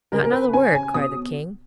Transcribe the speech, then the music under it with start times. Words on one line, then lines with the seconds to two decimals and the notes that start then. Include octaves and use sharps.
"Not another word!" cried the king.
0.12 C#3 A#4
0.23 A#4
0.32 B4
0.53 C#4 G#5
0.74 G#5
0.94 B2 D#6